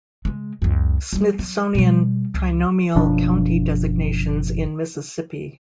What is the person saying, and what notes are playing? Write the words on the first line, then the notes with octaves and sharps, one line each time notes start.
Smithsonian Trinomial county designations in Mississippi.
C#3 G#3
C#2 F#2
G3 G#3
F#3
B2 G3
C#2
F#1 B2 F3 D4